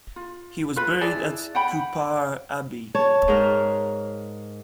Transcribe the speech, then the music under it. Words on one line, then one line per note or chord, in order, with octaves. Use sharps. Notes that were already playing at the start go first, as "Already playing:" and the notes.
He was buried at Cupar Abbey.
F4
F4 B4
E4 G#4 D5 A5
F#5 G5 B5
C#5 A5
G#2 A#4 F6